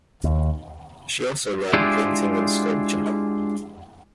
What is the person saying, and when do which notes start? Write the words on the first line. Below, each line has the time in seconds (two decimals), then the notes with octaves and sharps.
She also learned painting and sculpture.
0.24 D#2
1.73 G#3 D4 E4 F4 G4 G#4